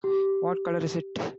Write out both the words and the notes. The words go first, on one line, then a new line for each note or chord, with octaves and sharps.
What color is it?
G4